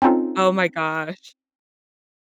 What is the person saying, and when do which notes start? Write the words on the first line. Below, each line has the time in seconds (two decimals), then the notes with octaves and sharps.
Oh my gosh.
0.02 C4 C#4 D#4 F4 A4